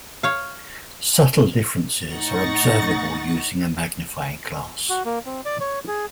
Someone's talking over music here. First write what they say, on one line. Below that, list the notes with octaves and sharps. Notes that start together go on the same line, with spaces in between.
Subtle differences are observable using a magnifying glass.
C#5 F5
A2 D#4 F#5 C#6 A6 A#6
F#4
A#3
C4
D5
C#5
G#4